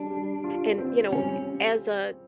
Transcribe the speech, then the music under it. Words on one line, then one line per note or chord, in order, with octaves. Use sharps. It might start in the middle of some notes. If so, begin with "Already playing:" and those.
and, you know, as, uh,
Already playing: G3 D4
G3
F4
C4
G3 C#4